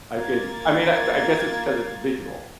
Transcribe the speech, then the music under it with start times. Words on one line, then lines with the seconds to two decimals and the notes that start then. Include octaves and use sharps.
I could I mean, I I guess it's because it's visual,
0.14 A#3 F4 G#6 A6